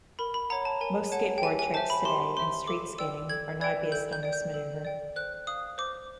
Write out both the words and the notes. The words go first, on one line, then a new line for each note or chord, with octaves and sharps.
Most skateboard tricks today in street skating are now based on this maneuver.
A#4 B5
B5
C#5 F#5 A#5
A5
A#4 G#5
C#5 F#5 A5
G5
G4 G#5
G#5
C5 E5 A5
B5
G4 C6
C5 E5 C6
A4 D6
D5 G5 E6
A4 G#6
D5 G5 G#6
A4 G6
G6
D5 G5
G6
A4
D5 G5
C5 F#6
F5 D#6
C5 D6